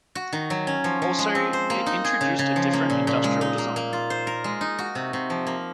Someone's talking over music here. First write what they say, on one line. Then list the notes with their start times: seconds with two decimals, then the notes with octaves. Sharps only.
Also it introduced a different industrial design.
0.15 F#4
0.33 D#3
0.50 F#3
0.67 C#4
0.84 F3
1.02 F3
1.19 G#3
1.35 C4
1.53 C5
1.70 A#3
1.86 D#4
2.05 G#4
2.21 C#3
2.39 C#3
2.56 F3
2.73 A#3
2.90 A#2
3.07 A#2
3.24 G#3
3.41 D#4
3.58 A#3
3.76 A#3
3.93 F4
4.10 C5
4.27 A#4
4.44 G#3
4.61 D#4
4.78 F#4
4.95 C3
5.13 C3
5.30 F3
5.47 A#3